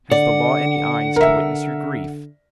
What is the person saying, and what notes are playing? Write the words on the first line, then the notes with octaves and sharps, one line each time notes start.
Has the law any eyes to witness your grief?
D3 D5 F#5
A#4 E5